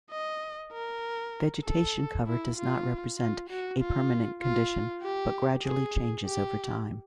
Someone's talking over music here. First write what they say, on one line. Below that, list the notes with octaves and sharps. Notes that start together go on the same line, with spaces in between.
Vegetation cover does not represent a permanent condition but gradually changes over time.
D#5
A#4
A4
E4
F4
F4
F#4
F4
F4
G4
G#4
G4